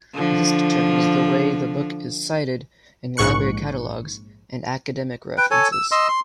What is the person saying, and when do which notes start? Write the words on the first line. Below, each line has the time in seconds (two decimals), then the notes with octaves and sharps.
This determines the way the book is cited in library catalogs and academic references.
0.14 D3 F3
3.17 A#1 G#2 C#6 F#6 C#7
5.38 B4 G5
5.51 A4 C#5 G#5
5.72 E6
5.92 D#5 C6 E6
6.08 C6